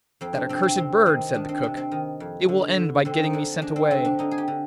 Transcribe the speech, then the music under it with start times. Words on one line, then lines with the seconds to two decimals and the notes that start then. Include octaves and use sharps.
'That accursed bird,' said the Cook; 'it will end by getting me sent away.
0.21 F2 C4
0.35 D4
0.49 C3 C4
0.63 C4
0.77 C3 C4
1.06 D#3 C4
1.34 D#3 D4
1.49 C4
1.63 C3 D4
1.77 C4
1.91 D#3
2.20 F2
2.49 D3
2.76 D3
3.05 D3 C4
3.23 D#4
3.33 D3 D4
3.62 G#3 D4
3.76 C4
3.91 D3 C4
4.05 D4
4.19 D3 D#4
4.31 G#4
4.38 G4
4.48 D3